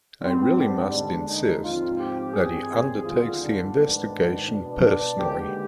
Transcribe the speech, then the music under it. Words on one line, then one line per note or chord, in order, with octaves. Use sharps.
I really must insist that he undertakes the investigation personally.
G#2 G3 B3 C4
D4
D#2 D3 G#3 D4
D#4
G#2 F3 C4 F4
G4
G2 D#3 G3 C4 G#4
D#2 D3 G3 B3 F4
D4
G#2 D#3 G#3 B3
B2 B3
D4
D#2 D3 G#3 B3 G4